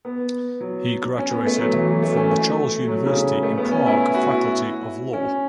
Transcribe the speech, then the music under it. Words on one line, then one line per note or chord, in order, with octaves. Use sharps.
He graduated from the Charles University in Prague faculty of law.
B3
F#3
C#4
B3
A3
F#3
E3
F#3
A3
C#4
A3
F#3
C#3
A3
B3
C#4
E4
E4
F#4
E4
C#4